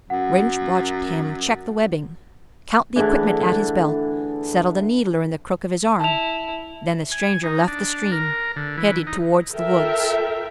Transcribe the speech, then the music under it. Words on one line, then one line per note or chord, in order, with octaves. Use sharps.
Rynch watched him check the webbing, count the equipment at his belt, settle the needler in the crook of his arm. Then the stranger left the stream, headed towards the woods.
F#2 F#5
D3 E3 A3 D4 G#4
E4 A5 F7
G#5
D#4
D4
A#4
D3
E3
D#4
F4 A4 A#4 E5 G5